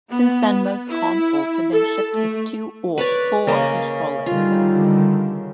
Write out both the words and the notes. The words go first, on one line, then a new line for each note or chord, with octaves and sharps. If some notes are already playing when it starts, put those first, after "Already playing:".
Since then, most consoles have been shipped with two or four controller inputs.
B3
E4
A4
A3
B4 C#5 D5
C#3 A#3 D#5
D3 D#3 G3 F4